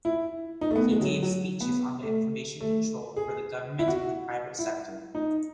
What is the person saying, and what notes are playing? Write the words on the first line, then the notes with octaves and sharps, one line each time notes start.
He gave speeches on information control for the government and the private sector.
E4
D#4
A3
B3
G#3
F#3
F#3
B3
A3
A3
G#4
E4
F#4
E4
D#4